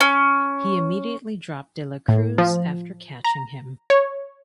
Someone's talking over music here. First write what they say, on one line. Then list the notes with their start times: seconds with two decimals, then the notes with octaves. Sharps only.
He immediately dropped de la Cruz after catching him.
0.01 C#4
2.08 A2
2.38 F3
3.24 A#5
3.90 C#5